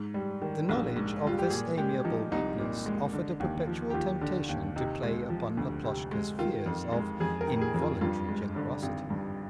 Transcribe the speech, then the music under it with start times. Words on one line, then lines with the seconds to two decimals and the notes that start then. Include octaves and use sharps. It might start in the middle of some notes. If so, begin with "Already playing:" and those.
The knowledge of this amiable weakness offered a perpetual temptation to play upon Laploshka's fears of involuntary generosity.
Already playing: G#2
0.14 G3
0.42 D#3
0.69 A#1
0.96 G#2
1.24 G3 F4
1.39 G4
1.50 A#2 G#4
1.77 G#3 G4
2.05 F3 D#4
2.32 C2 D#4
2.59 A#2
2.86 G#3
3.13 D3
3.40 D#2
3.67 F3
3.90 G4
3.94 D#2 F4
4.21 D3
4.49 D#2
4.76 C3 D#4
5.03 G#3
5.30 F3
5.57 D2
5.84 C3
6.12 G#3
6.39 D#3 F4
6.66 F2
6.92 G#3
7.20 F2 G#4
7.41 A#4
7.48 D#3
7.61 G#4
7.74 F2
7.82 F4
8.01 G2 F4
8.29 G#3
8.56 D3
8.83 G#1
9.10 G2